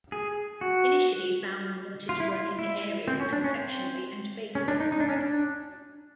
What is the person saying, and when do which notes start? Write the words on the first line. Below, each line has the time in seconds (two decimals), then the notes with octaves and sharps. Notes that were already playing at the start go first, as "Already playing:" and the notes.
Initially, Baumann wanted to work in the area of confectionery and bakery.
0.12 G#4
0.61 F#4
2.09 F4
2.20 E4
2.31 F4
2.59 E4
3.08 C4
3.20 C#4
3.33 D4
3.44 C#4
3.57 C4
4.55 C#4
4.68 D4
4.80 D#4
4.92 D#4
5.00 D4
5.09 C#4
5.16 D4